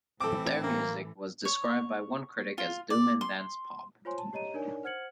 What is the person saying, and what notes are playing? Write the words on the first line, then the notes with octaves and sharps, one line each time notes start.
Their music was described by one critic as doom-and-dance-pop.
A1 A2 E3 C4 A4 D6
A#3
C#5
F4
D5
C6
F4 C5 C#5 G#5 C6
A5
G4 C#5 D#5 A#5 D#7
D4 D#4 A#4 C#5 D5 G#5
C5 F#5 F6 G#6 C#7 F#7